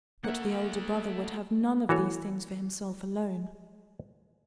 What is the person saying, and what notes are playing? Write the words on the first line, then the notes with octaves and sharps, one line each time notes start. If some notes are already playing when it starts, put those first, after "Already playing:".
But the elder brother would have none of these things for himself alone.
A3 A#3 E5 F#5
E3 F#4 A4 C#5